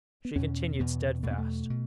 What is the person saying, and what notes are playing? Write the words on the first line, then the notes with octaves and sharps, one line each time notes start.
She continued steadfast.
B3
E2 B2 C#4
E2 B2 B3
E2 B2 A3 B3
A3
B2